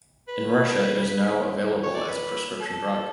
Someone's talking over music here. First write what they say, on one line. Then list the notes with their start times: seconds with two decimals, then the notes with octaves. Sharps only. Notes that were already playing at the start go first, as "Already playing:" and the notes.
In Russia it is now available as a prescription drug.
0.28 B4
1.83 C#5
1.95 D5
2.08 B4
2.60 A4